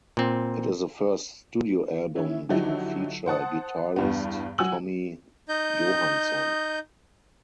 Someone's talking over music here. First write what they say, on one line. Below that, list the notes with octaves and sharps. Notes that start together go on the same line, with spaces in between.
It is the first studio album to feature guitarist Tommy Johansson.
A#2 C4
E3 C#4 E4
D3 F3 F#3 D#4 E4 G4
C5 F#5 A5 D#6
E2 G2 B3
F#3 F#4 G#5 E6 F#7
D#4 D#5 G6